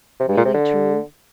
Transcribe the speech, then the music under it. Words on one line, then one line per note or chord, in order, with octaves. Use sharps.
"Really true?"
C3
G2
A#2
C3
D3